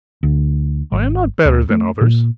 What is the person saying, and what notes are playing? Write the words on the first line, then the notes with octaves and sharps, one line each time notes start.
I am not better than others.
D2
G#1
D2
A3
A#2